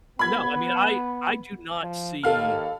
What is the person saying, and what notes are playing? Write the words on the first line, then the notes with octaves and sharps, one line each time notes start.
No, I mean, I I do not see
B3 B5 G#6
F3
D#2 A4 F5 F6